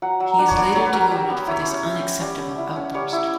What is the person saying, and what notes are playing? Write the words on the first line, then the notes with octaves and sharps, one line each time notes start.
He is later demoted for this unacceptable outburst.
F#3 F#5
F#3
D4 F#5
C#5
B3 D5
F#3 C#5
B4
F#3 A#4
F#3 G4
B3
E4 C#5
C#4
E4
C#4
G3
C#4
E4
C#4
G3 C#5
E4